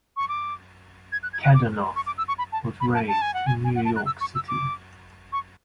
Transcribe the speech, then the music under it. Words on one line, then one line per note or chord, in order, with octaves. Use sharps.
Kadanoff was raised in New York City.
C#6
D6
G#6
F#6
G#6
F#6
D6
C#6
D6
E6
C#6
B5
A5
B5
A5
A5
G#5
F#5
G#5
G#5
F#5
A5
F#6
E6
C#6
E6
D6
C#6